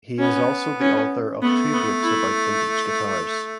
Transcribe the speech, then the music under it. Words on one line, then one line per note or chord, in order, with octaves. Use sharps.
He is also the author of two books about vintage guitars.
B3 C#4
C#4
A3 B3
B3
E4